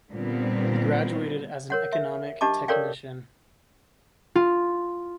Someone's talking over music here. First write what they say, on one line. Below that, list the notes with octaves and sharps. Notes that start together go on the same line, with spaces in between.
He graduated as an economic technician.
A#2 D3 G3 B3 C4
A#4 C#5 F#5
E5
D4 G4 D#5 A5 D6
A4 A#4 C#5 D5 F5 G5
F4